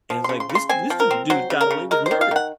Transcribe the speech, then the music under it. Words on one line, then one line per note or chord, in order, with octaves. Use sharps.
and it's like, this this du dude got away with murder
F3
C#3 C6
C6
C#3
C6
C4 G#5
F3
A#4
C4
F#3 C5
C#3
A#4
C#3
G#3 A#4
C5
D#3
F5
D#3 F#5